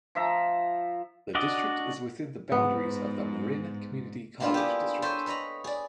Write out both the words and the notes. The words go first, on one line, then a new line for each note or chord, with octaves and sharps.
The District is within the boundaries of the Marin Community College District.
F3 E5 A#5
D4 F#4 D5 D#5
G#2 B3
A#3 B3 D4 E4 F4
G4 G#4
A4 C5 C#5 E5 G5 G#5
B4 C#5 D#5 A#5 B5
G#4 D5